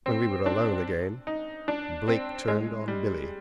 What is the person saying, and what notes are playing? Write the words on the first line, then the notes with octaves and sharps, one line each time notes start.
When we were alone again Blake turned on Billy.
C4
D4
D#4
D4
C4
G#3
G3